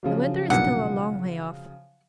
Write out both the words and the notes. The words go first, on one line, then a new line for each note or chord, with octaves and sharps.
The Winter is still a long way off.
C#3 F3 F#3
B1 G2 A#2 F#5